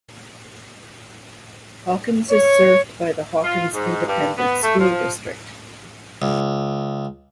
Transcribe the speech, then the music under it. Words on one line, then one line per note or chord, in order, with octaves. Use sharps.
Hawkins is served by the Hawkins Independent School District.
C#5
F4
G#2
G2
B3
A3
F3
C#2